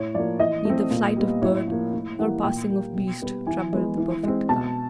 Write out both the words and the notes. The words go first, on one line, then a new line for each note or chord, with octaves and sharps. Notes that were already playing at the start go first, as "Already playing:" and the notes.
Neither flight of bird nor passing of beast troubled the perfect calm.
Already playing: A2 C#5
F3 A#3 D5
E3 D#5
A3 C4
A#2
G3 B3
A2 C#5
F3 A#3
A2
E3 G3 A#3 F#5
A#2 G5
G3 A#3
B2
G3 B3
E3 G#5
G#3 B3
E3
G#3 C4
B2 A5